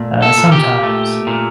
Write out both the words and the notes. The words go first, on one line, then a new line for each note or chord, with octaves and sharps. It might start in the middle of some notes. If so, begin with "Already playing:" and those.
uh, sometimes.
Already playing: A#2 A3
A4
A#2
G4
A3
A#2